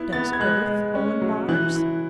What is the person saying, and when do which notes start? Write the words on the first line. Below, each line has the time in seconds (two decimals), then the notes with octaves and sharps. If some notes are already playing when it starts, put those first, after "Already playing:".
"Does Earth own Mars?"
Already playing: B3 E4
0.13 B3 A6
0.33 G#6
0.40 G#3 F#6
0.67 G#3
0.95 C#4
1.21 F#3
1.48 E3 F#6
1.75 E4